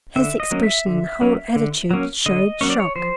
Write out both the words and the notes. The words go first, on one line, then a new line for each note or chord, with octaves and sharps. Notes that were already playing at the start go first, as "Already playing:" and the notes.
His expression and whole attitude showed shock.
D3 E5
D#5
F#3 A#3 C#4
E5
D3
F#3 A#3 C#4
D3
F#3 A#3 C#4
D3 D#5
F#3 A#3 C#4 C#5
D5
C#5
F3 C5